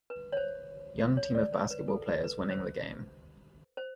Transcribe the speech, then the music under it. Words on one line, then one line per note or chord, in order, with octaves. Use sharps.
Young Team of Basketball players winning the game.
B4
C#5
C5
C#5
D5
C5
B4
A4
B4
B4
C5
C5